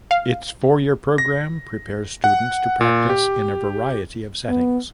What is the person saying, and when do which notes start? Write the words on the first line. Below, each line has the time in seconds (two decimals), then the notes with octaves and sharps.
Its four-year program prepares students to practice in a variety of settings.
0.11 F5
1.18 A#6
2.24 F#5
2.81 A#2
3.10 G4
4.48 B3